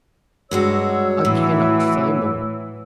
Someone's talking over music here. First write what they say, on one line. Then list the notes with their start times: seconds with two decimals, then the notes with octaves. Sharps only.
I cannot say more.
0.51 G2 F#3 G#3 F#4 C#5 E6
1.25 A2 E3